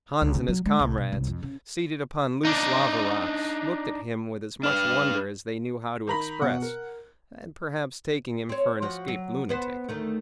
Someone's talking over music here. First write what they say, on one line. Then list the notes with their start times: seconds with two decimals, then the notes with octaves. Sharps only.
Hans and his comrades, seated upon loose lava rocks, looked at him with as much wonder as they knew how to express, and perhaps taking him for an escaped lunatic.
0.21 C#2
0.35 C#3
0.48 F#3
0.66 G#3
0.79 C2
0.98 B2
1.12 C2
1.27 F2
1.43 C#3
2.45 D4 D#4
4.63 D4 B4 F6
6.07 D#3 A#5 B5
6.42 B2 F#5
6.62 A#4
8.49 C4 C#5
8.82 F3 F4 F#4
9.08 F#3
9.49 B3 B4 C5
9.89 D2 D#3 A3